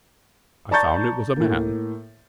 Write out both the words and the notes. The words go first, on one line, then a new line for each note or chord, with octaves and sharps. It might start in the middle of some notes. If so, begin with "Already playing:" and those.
I found it was a man.
D5 A5 A#5 C#6 G6 A6
A2 A#3